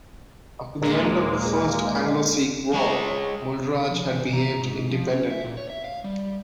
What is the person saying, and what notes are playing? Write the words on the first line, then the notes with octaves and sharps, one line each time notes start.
After the end of the First Anglo-Sikh war, Mulraj had behaved independently.
D#2 A#2 G#3 A#3
G#3 C#5
F3
E3
A#5
G#2
F3
C#4
E5
A#2
C#5
E5
F5
G3